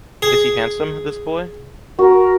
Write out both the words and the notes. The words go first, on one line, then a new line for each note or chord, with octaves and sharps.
Is he handsome, this boy?
G#4
F#4 A#4